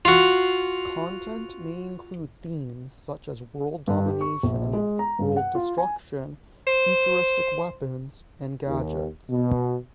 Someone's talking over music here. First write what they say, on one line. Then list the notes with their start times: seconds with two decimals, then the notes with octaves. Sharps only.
Content may include themes such as world domination, world destruction, futuristic weapons, and gadgets.
0.05 F4 F#4
3.88 G2
4.06 G4
4.21 C#6
4.43 A#1
4.73 G#3
4.99 A#5
5.19 G2
5.36 F#5
5.55 F4
5.78 G#5
6.67 C5
8.67 D#2
9.30 B2